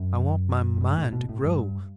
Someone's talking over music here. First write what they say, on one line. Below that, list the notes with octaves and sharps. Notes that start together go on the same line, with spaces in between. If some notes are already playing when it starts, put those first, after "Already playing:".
I want my mind to grow.
Already playing: F#2
A2
G2
A2
B2
A2
G2